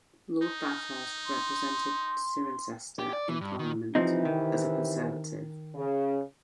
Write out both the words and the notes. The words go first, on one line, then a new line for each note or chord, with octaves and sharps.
Lord Bathurst represented Cirencester in Parliament as a Conservative.
D#4
C6
G4
D5
E3
G2
D#3
C3 E3 F3 C4 D#4
D#3
C#3